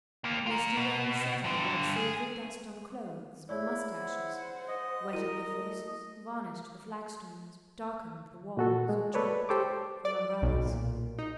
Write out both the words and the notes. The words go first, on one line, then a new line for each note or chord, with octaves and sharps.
A misty rain settled like silvery dust on clothes, on moustaches; wetted the faces, varnished the flagstones, darkened the walls, dripped from umbrellas.
D#2 A#3
F4 A#4
B2
G2 D3
G#4
E4 G#4 C#5 D5
C5 F#5
D#5
E4 F#4 A#4 D#7
A3
A#2 F#4 A4
G#3
A4 B4 C#5 D5
G4 A4 C5 C#5 D6
D5
B1
A#2
D#4